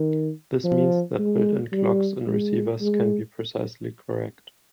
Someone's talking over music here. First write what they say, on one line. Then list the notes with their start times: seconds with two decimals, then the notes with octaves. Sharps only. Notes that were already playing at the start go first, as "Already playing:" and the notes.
This means that built in clocks in receivers can be precisely correct.
Already playing: D#3
0.64 F3
1.19 G#3
1.72 G3
2.26 G#3
2.81 G#3